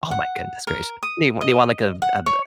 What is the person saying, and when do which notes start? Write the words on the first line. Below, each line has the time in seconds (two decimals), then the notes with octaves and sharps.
Oh my goodness gracious. They they want, like, a a b
0.11 F#5
0.67 A#4
1.03 D#6
1.41 D#5
2.02 F#5
2.26 C#5